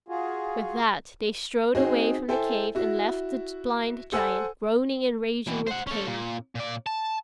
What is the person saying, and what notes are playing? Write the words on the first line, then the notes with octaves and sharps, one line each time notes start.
With that they strode away from the cave and left the blind giant groaning and raging with pain.
F4 F#4 G#4
C4 D#4 F#4 G#4
E4 A4 C5 G5 G#5
E4 F#4
A4 C5 F#5 G#5 E6
B2 E3
C5 F#5
C#4 A4
A#2
A#2 D5
A5